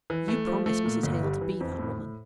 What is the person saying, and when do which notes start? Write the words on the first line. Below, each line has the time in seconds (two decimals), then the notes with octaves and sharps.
You promised Mrs. Hale to be that woman!'
0.10 E3
0.28 A3
0.47 F3
0.66 A3
0.85 A#2
1.03 G1
1.23 G3
1.41 E3
1.60 F2
1.79 A2
1.98 A2